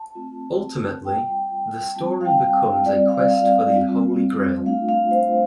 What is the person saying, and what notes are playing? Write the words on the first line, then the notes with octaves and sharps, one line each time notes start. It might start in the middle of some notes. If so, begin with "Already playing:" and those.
Ultimately the story becomes a quest for the Holy Grail.
Already playing: A5
A3 C4 F4
G3 F4 G5
G3 C4 F4 A5
F5
G5
G3 C4 F4 D5
F5
F5
G3 C4 F4
A3 D4 F4 F5
F5
C5